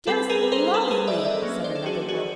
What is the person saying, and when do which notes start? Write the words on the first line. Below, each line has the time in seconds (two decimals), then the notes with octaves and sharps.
"Just lovely!" said another girl.
0.07 G3 C4 A4 B4
0.29 G#4 A#4
0.43 B4
0.52 A#4 C5
0.74 A4 B4
0.91 G#4 A#4
1.07 D5 E5
1.20 D#5
1.25 D5 E5
1.42 F#3 A#3 C#4
1.64 C5 D5
1.76 A4
1.86 F#4 G#4
2.08 F#4 G#4